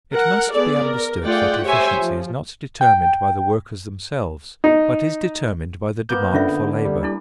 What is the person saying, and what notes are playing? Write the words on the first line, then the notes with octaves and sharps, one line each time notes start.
It must be understood that efficiency is not determined by the workers themselves, but is determined by the demand for labour.
A#4 F#5
B3 G#4 A4 D5
A#4
A3 F4 G#4 D5 F#5 G5
G4 C5 C#5 E5 G#5
F3
G5
D#4
A#3 B3 D6 G6
D3 C#4 F4 E5
G3
D4 E4 A4